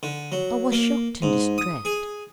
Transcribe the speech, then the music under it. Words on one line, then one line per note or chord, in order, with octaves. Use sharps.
I was shocked and distressed.
D3
F#3
A#3
G#2
D#6
G#4